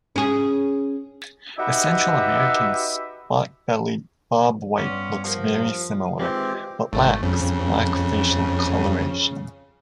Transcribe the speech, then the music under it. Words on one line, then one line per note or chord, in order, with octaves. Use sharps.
The Central American spot-bellied bobwhite looks very similar, but lacks black facial coloration.
C#4 G#4
D#4 F#4 G4 B4 E5
G2 B3 C#4 D5 C6 D6
F3 G4 A#4
F4
D#3 E3 G#3 C4 F4 G4
G#1 A3
F2 C#3